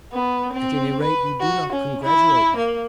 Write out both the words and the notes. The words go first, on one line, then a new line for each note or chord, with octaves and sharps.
"At any rate you do not congratulate me."
B3
C4
B4
F#4
C#4
E4
A#3